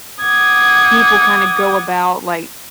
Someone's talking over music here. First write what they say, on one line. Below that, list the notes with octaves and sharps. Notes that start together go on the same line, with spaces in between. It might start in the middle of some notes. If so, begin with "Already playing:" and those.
people kinda go about, like,
F#5 D6 D#6 G#6